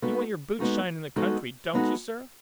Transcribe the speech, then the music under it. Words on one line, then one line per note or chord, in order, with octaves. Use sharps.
"You want your boots shined in the country--don't you, sir?"
G#3 B3 D#4 F#4 A4
G#3 B3 D#4 F#4 A4
G#3 B3 D#4 F#4 A4
G#3 B3 D#4 F#4 A4